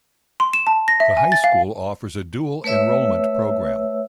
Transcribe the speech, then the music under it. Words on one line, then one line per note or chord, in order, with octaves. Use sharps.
The high school offers a Dual Enrollment program.
C6
E7
A5
A#6
E5
G#5
A6
F5
A3 B4 C#5 E5 E6